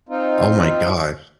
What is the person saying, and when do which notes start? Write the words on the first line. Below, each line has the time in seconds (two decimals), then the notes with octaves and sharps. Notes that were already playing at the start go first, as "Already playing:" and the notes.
Oh my gosh.
0.09 C4 D#4 F4